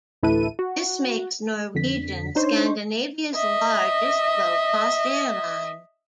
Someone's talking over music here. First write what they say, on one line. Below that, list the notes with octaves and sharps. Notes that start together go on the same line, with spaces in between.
This makes Norwegian Scandinavia's largest low-cost airline.
A1 D2 E4 A4 B4 D#7
F#4
F2 D3 B6
D4 D#4 C5 C#5
D#5 E5